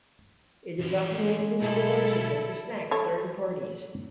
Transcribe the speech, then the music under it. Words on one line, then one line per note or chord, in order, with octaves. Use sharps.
It is often used in school lunches and for snacks during parties.
E3 C#4
G#3
B1 E4 A4
A4 C#5